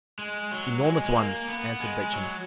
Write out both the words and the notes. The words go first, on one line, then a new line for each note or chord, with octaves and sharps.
"Enormous ones," answered Beauchamp.
G#3
F#3
G#3
G#3
A#3
B3
G#3
F#3